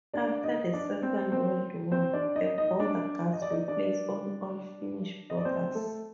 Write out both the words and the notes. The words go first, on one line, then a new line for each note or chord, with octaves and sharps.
After the Second World War, the Border Guards were placed on all Finnish borders.
D4 D5
D#4 D#5
D4 D5
C4 C5
C4 C5
C4 C5
D4 D5
D#4 D#5
D#4 D#5
D#5
D4 D5
D#5
D5
D#4 D#5
D4 D5
D#5
D5
C4 C5
A3 A4